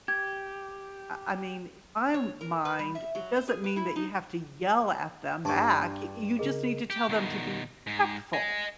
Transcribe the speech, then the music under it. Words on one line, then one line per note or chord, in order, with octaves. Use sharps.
I I mean, in my mind, it doesn't mean that you have to yell at them back. Y you just need to tell them to be respectful.
G4 G#6
C#5
A#4
B4
G3
E5
F#3
C5
G#4
B4
E4
D#4
G2 D4 A5 C#6 D6
C#3 G#4 A#4 D#5
G4
B2 D#3
G#2
D#5 G#5